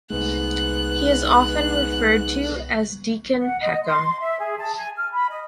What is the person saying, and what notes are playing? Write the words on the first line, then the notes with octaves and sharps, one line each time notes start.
He is often referred to as Deacon Peckham.
C2 G#2 A3 B3 F#6
F#5
D#5
C6
E5
G#4
A5
G#5
F6
B5
D#5